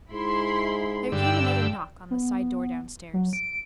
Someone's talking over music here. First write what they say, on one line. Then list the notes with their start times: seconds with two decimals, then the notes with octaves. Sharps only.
There came another knock on the side door downstairs.
0.12 G#2 E4 B5 C6
1.12 G2 D3 D5 G5 E6
2.11 B3
3.14 F#3
3.33 D7